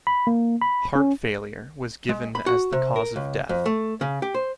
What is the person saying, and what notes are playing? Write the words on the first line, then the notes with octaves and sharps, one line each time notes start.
Heart failure was given as the cause of death.
B5
A#3
B5
C#4
G#3
B5
F#4
C3
A#4
C#2
F2
A3
C#3
G4
C5